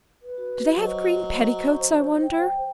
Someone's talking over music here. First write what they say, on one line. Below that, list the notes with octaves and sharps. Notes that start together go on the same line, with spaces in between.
Do they have green petticoats, I wonder?
B4
F#4
F#3 C5 C#5 D#5 C#6
G5